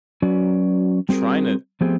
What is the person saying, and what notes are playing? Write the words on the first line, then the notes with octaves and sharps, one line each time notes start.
trying to
F#3 C#4 F#4 B4 D5
G3 C4 F#4 G#4 A#4
F3 A3 B3 C4 G4 G#4